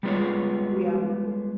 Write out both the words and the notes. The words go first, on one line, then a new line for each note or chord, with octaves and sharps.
We all need it.
G3 G#3 B3 F4 G#4 C#5